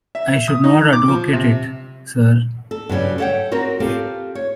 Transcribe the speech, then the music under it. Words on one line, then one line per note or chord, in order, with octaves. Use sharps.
I should not advocate it, sir.
E5
D#6
D#4
D6
F3
C3
A4
G2 C#3 F#3 G3
A4 C#5 E5 F#5 G5
C4 F#4 A#4 C#5
C4 F4 G4 A4
C#5